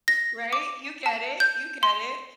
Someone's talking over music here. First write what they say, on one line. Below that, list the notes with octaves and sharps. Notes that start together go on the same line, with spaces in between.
Right? You get it, you get it.
A#6
D6
A5
G6
C6